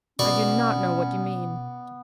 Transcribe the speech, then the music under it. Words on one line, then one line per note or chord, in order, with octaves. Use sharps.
"I do not know what you mean."
B2 B3 C#4 D5 C#6 E6